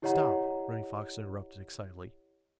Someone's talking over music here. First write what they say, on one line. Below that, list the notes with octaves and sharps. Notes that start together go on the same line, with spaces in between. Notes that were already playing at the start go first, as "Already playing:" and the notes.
"Stop!" Running Fox interrupted, excitedly.
E4 G4 C#5 D#5 F#5 A#5